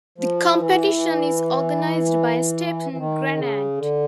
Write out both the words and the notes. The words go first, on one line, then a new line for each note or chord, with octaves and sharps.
The competition is organized by "Stephen Granade".
F3
E3
E3
D#3
C#3
D3